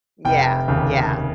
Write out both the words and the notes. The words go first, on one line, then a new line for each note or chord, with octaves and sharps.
Yeah, yeah.
F1 G5
D#2 C#3